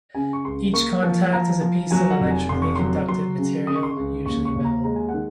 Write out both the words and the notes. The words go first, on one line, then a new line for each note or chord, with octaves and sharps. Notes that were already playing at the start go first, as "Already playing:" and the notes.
Each contact is a piece of electrically conductive material, usually metal.
C#3 G#5
C#6
C#2 C6
A#3 C#6
F3
F3 A#5
F3
F#3 G#5
F#5
F1
G#5
F1 C6
C#6
F#3 C6
F#3 C6
C#3
C#3 D#6
C#6
C6
C#6
C#2
D#2 C#6
C#6
D#2
A#5
G#3 A#5
G#5
F#5
D#3